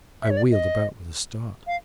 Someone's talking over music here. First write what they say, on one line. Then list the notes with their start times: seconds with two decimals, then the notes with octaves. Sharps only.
I wheeled about with a start.
0.22 E5
0.30 C#5
0.37 D5
0.52 D#5
1.67 F5